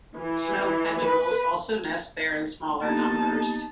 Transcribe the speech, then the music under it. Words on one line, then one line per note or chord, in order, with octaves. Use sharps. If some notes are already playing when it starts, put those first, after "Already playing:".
Snow petrels also nest there in smaller numbers.
E3
B4
A#3 B3 D#4 G4 A5